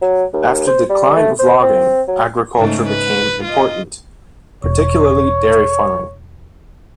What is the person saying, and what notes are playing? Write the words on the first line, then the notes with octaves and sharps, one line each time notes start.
After the decline of logging, agriculture became important - particularly dairy farming.
F#3
D#2
C5
G3
A3
C5
C4
F#3
G#2 C#3 A3
B4
F4 D#5
E1 C#5